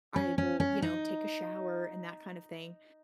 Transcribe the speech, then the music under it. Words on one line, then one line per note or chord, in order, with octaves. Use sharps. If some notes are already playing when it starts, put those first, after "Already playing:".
I will, you know, take a shower and that kind of thing,
C#4
C#4
C#4
D#4